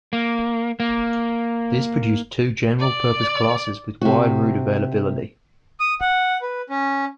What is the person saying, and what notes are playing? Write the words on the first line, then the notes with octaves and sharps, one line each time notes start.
This produced two general purpose classes with wide route availability.
A#3
A#3
D5
C3 F#4
D#6
F#5
B4
C#4